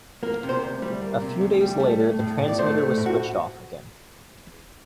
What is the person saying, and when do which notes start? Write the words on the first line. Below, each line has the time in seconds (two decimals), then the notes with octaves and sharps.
A few days later, the transmitter was switched off again.
0.23 A#3 A#4
0.43 C3
0.49 C5
0.62 D2
0.82 G3
1.02 A#3
1.22 C3
1.41 D2
1.61 G3
1.80 A3
2.00 A3
2.19 A2
2.39 A2
2.48 D5
2.58 A3 C5
2.78 A3
2.98 A2
3.06 F#4